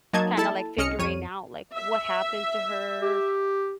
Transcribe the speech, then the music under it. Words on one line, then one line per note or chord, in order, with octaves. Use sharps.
kind of, like, figuring out, like, what happened to her
F#3 A#3 D#4 D#5 A5 G#6
E4 A4 A5
C2 C#4 D#5 F6 C#7
F2 C#5 D#7
E5
G4